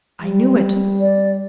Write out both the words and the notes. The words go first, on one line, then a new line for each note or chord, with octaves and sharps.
I knew it.
G3
D5